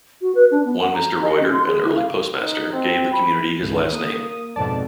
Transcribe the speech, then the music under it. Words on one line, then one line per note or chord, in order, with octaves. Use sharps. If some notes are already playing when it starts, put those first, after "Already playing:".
One Mr. Reuter, an early postmaster, gave the community his last name.
F#4
B4
D4
B3
F#5
A#5
D#5
C#4
C6
G#4
E4
F5
D#4
C4
B5
C#2 G#2 D#3
A#3 D#6
F2 G#2 B2 D5 A5